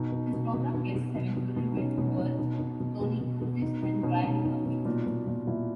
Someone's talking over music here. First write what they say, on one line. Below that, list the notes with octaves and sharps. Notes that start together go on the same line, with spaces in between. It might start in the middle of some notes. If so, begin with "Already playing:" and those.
His program guests have included Milton Berle, Tony Curtis, and Bryant Gumbel.
Already playing: B2 D#4
B2
B2
B2
B2
B2
B2
B2
B2
D#4
B2 C#4
B2
D#4
B2
B2
B2
B2
B2
B2
B2
B2 D#4
B2 D#4
B2 C#4
B2 D#4
B2
B2
A#2
A#2
A#2
A#2 E4